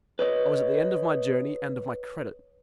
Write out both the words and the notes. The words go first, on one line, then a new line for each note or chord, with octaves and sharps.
I was at the end of my journey and of my credit.
B4 C#5 D#5